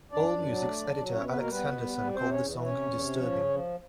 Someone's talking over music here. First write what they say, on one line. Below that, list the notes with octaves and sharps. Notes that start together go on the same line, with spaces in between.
AllMusic's editor Alex Henderson called the song "disturbing".
F#2 D4 D5
F#2
F#3
A3
F#3
F#3
B2 C#4 C#5
B2 B3 B4
A#3 A#4
G3 B3 B4
B2
G3
G3
C3 C4 C5
E2 C#4 C#5
E3
C3 C#4 C#5
E2
C3
F3
C#3
F3